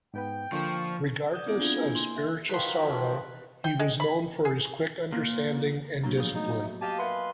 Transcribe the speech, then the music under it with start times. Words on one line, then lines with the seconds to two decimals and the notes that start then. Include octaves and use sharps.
Regardless of spiritual sorrow, he was known for his quick understanding and discipline.
0.14 G#2 B3 B4 G5
0.52 D3 F3 A#3 D5 C#6
1.32 D5 D#6 G6
1.46 B3 C4 E4 G#4
1.59 D4 F4 G#6
1.78 A#3 E4 G#5
1.95 C6
2.16 E5
2.49 D#3 F3 F#3 B4 C6
3.64 G5
3.79 G#3
4.00 B5
4.45 G#4
5.12 A#2
6.04 F#3 A#3 D4 F#4 G6
6.17 F3 B3 G#4
6.35 A3 D#4
6.63 E5
6.81 G4 D#5 F5 G#5 A5
6.99 A#4 B4 E5 F#5 C6